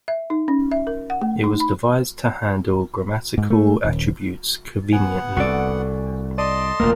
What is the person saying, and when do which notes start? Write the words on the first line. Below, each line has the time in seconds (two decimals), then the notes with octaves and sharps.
It was devised to handle grammatical attributes conveniently.
0.08 E5
0.30 D#4
0.48 C#4
0.72 E5
0.87 A#4
1.10 F#5
1.22 A3
1.44 D#4
1.60 B5
3.38 G#2
3.50 A3
3.85 D#1
4.93 B3 F#5 G#5
5.36 C2 F#4 A4 D5
6.38 D5 D#5 A5 C6 D#7
6.80 E1 D2 A#2 A3 A#3 A#4